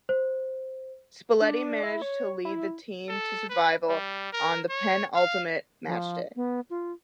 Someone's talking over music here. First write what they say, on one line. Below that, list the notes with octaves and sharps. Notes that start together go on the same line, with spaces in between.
Spalletti managed to lead the team to survival on the penultimate matchday.
C5
D4
E4
C#5
E4
A4
B4
G3
A#4
C#5
F5
F3
B3
F4